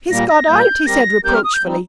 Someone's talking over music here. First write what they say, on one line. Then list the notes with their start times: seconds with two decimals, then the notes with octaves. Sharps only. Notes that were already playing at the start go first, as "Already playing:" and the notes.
"He's got out," he said reproachfully.
0.10 A#2 G3 A#3 A#6
0.29 A#6
0.48 A#2 G3 A#3 G6
0.86 G3 C4 G4 A#4 A#6
1.24 G3 C4 G4 A#4 G6
1.34 F6
1.44 D#6
1.54 G6
1.63 G3 C4 D#4